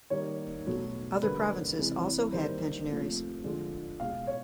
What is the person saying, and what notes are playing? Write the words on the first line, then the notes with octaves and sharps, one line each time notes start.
Other provinces also had pensionaries.
D#3 G3 A#3 C#5
B2 F#3 A3
D3 G3 A#3 B4
C3 E3 G#3
D#3 G3 A#3 C5
C3 F3 A3
D3 F3 G#3
B2 G#3 F5
C#5